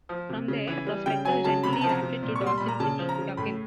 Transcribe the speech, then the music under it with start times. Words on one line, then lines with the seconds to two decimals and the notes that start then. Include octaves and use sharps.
From there, prospectors generally rafted to Dawson City, Yukon.
0.09 F3
0.29 C3
0.48 C#3
0.67 E3
0.87 G3
1.06 C#3 G5
1.25 F#3 G#5
1.44 C#3 A5
1.64 C3 B5
1.73 A#5
1.81 F3 A5
1.89 A#5
2.02 C3
2.23 A#2
2.36 C#6
2.41 G3
2.47 C6
2.58 A#2 B5
2.68 A#5
2.80 C#3 A5
2.99 F3
3.09 A#5
3.18 C#3
3.37 A2 B5